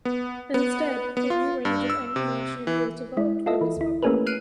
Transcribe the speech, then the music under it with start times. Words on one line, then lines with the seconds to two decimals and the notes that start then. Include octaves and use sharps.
Instead, a new range of ammunition was developed for this weapon.
0.05 B3
0.54 B3
1.17 B3
1.30 F4
1.65 G2
1.90 E6
2.16 C3
2.67 E3
3.17 G#3 E4
3.46 F4 A4 D#5 E5
3.61 E3
3.77 D2 E4
4.03 A3 A#3 C#4 G#4 A#4 B4
4.26 F6 F#6 C7 D7 D#7